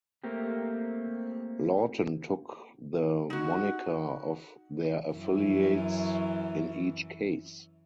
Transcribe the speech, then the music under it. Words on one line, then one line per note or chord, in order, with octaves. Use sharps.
Lawton took the moniker of their affiliates in each case.
A3 A#3 C4 G4
D#4 F#4
F#2 E3